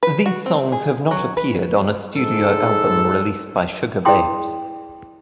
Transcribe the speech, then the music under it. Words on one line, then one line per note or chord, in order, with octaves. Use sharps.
These songs have not appeared on a studio album released by Sugababes.
B4
F#4
C4
G#4
F#3
B4
G#2 A4
E4 G#4 G5 C6 D#6